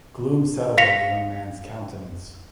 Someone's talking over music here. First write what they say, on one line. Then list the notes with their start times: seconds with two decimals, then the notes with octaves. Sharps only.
Gloom settled on the young man's countenance.
0.78 F5 A#6 B6 C#7 F7